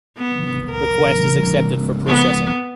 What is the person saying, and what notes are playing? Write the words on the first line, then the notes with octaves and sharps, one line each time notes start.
Request is accepted for processing.
B3
A#4
B3